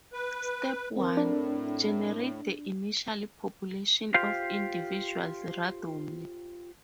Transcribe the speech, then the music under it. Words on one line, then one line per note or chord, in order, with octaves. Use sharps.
Step One: Generate the initial population of individuals randomly.
B4
D#2 D#3 C4 A#4
A2 D4
F4 G4 C5 F5